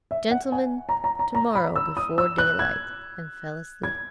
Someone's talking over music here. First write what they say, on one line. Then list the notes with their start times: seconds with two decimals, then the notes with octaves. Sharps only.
"Gentlemen, tomorrow before daylight!" and fell asleep.
0.11 E5
0.31 F#5
0.52 G#5
0.89 A#5
1.04 A#5
1.19 A#5
1.35 A#5
1.55 B5
1.76 E6
1.97 D#6
2.18 E6
2.38 F#6
2.59 G#6
3.84 G#6